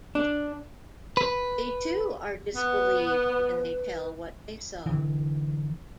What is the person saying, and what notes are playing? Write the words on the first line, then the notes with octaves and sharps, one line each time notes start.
They, too, are disbelieved when they tell what they saw.
D4
B4
B3 B4
D3 E3